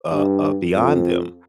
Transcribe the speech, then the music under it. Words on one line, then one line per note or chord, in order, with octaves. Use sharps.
uh uh, beyond them,
G2
F2